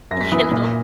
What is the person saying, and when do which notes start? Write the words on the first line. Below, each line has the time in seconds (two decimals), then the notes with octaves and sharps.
you know.
0.11 F#2 A#6
0.21 B6
0.32 E3 B3 E4 D#6
0.51 A#2